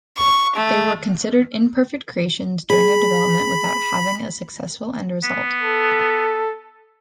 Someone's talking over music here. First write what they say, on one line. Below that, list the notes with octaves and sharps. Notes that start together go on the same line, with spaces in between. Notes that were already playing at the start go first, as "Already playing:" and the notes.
They were considered imperfect creations during their development without having a successful end result.
C#6
A3
G#4 B5
B3
A4